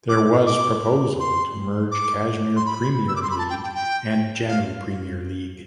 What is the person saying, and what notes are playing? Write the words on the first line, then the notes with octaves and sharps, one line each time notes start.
There was proposal to merge Kashmir Premier League and Jammu Premier League.
D6
D6
C6
D6
C6
B5
E6
D6
C6
B5
A5
G5
G5
G5
F5